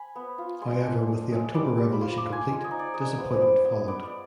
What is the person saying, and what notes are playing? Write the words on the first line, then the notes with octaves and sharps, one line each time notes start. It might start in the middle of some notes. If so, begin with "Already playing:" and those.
However, with the October Revolution complete, disappointment followed.
Already playing: G#5 B5
B3
F4
G#3 C6
D4
G#3
G#3
G3 D6
G3
B5
F4 C6
D6
F4
G#5
G#3
D#5
D#4
D5
G#3 D#5
D5
B3 C5
D5
B3
B3
B3 D5
D5